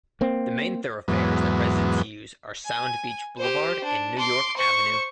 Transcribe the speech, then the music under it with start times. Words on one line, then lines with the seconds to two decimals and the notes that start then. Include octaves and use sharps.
The main thoroughfares that residents use are Sound Beach Boulevard and New York Avenue.
0.21 A#3 C4
1.08 E2 G#2 F#3 B3
2.65 G#5
3.38 G4 C5
3.85 D4
4.19 C6 D6
4.57 C5 C#6